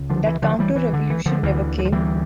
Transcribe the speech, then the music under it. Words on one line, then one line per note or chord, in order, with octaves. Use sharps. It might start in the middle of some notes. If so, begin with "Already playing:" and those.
That counter-revolution never came.
Already playing: C#2 C#3
D3 F3
E3
D3 F3
E3 G3
E3
D3
E3
D3 F3
D2 D3 E3
E3
F3
E3 G3